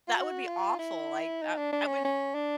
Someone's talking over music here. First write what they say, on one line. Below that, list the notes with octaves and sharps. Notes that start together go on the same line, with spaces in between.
that would be awful. Like, I I wouldn't
F4
F#4
F4
E4
D#4
D4
D4
C#4
C#4
D4